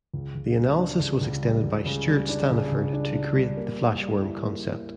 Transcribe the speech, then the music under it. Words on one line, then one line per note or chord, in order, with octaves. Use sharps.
The analysis was extended by Stuart Staniford to create the flash worm concept.
C#2
C#2
G3
D4
C#3
C#2
G3
C#2
C#3
G3
D4
C#3
C#2
D4
D4
G3
A#3
A#3
G3
E4
A#3
E4